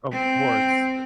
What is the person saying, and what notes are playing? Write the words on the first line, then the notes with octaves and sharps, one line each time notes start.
Of course.
C4